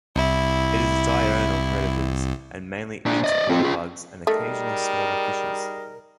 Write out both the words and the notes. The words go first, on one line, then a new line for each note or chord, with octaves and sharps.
It is a diurnal predators and mainly eats water bugs and occasionally smaller fishes.
C2 E4
A#2 D4
D5 D#5
C4 F4
F4 G#4
G3 A3 D#4 G#4 A#4